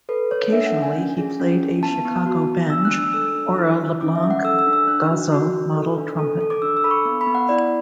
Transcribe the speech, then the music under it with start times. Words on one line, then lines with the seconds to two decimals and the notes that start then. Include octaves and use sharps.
Occasionally, he played a Chicago Benge or a LeBlanc Gozzo model trumpet.
0.09 A4 B4
0.31 A4 C#5
0.52 D4 E5
0.67 F#5
0.74 D4
0.82 G#5
0.96 C#4
1.18 G#4
1.40 C#4
1.61 E4
1.83 B3 A5
2.05 B3
2.26 F#4
2.48 B3
2.70 D4 E6
2.85 F#6
2.92 D4
2.99 E6
3.13 A4 E6
3.35 D4
3.58 E4
3.79 E4
4.01 C#4 D6
4.15 E5
4.23 C#4
4.31 F#5
4.44 A4 E6
4.59 E6
4.67 D4
4.73 E6
4.88 D4 F#6
5.10 F#4
5.32 F#4
5.53 F#4
5.75 A4
5.97 D4
6.19 A4
6.41 A4
6.50 D6
6.62 D4 E6
6.77 E6
6.84 A4 B5
6.91 C#6
7.05 B3 C#6
7.21 B5
7.27 B3
7.35 F#5
7.49 E4 D5